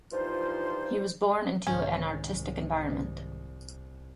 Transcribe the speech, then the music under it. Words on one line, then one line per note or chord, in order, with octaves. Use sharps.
He was born into an artistic environment.
G2 E3 F3 D#4 F4 C5
C2 G#2 D#3 C#4